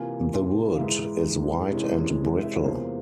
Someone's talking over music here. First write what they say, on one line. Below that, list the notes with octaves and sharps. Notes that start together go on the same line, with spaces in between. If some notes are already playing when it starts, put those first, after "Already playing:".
The wood is white and brittle.
Already playing: C3 E3 A#3 F4 G#5
C6
F5
G#2 E3 G#3 E5
C3 E3 G#3 C#4 E4
E5
C#5
E2 C3 E3 A#3 F4 C5